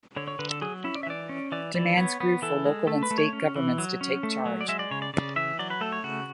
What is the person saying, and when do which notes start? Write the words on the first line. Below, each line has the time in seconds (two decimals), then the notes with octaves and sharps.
Demands grew for local and state government to take charge.
0.16 D3 C#5
0.28 C#5
0.39 D3 B4
0.51 A4
0.62 F#3 G#4
0.84 C#4 E4
0.95 D5
1.03 E5
1.07 E3 D5
1.29 C#4
1.52 E3 D5
1.75 E3 D5
1.97 B3 C#5
2.20 B3
2.42 E3 A4
2.66 G#3
2.87 A3 A4
3.03 B4
3.11 A3
3.18 C#5
3.33 C#4
3.56 E3
3.78 F#3
4.01 C#4
4.23 A3
4.46 F#3
4.61 D5
4.68 G#3 E5
4.79 D5
4.91 C#3 C#5
5.02 D5
5.14 C#3 D5
5.36 E3 E5
5.59 F#3 D5
5.70 B4
5.81 A3 A4
5.92 C#5
6.04 C#3 F#4